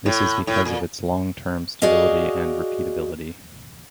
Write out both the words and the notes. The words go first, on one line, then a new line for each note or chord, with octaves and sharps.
This is because of its long-term stability and repeatability.
A2
A2
A#2
F#4 G#4 D5 D#5 F5